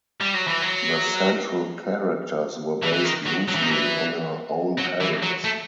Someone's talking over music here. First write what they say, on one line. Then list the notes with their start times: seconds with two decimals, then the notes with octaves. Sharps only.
The central characters were based loosely on her own parents.
0.21 G3
0.34 F#3
0.47 E3
0.62 F#3
2.82 E3
2.93 E3
3.05 D#3
3.26 F#3
3.48 F#3
3.55 E3
3.62 D#3
3.71 E3
4.78 F#3
5.01 E3
5.23 F#3
5.44 A3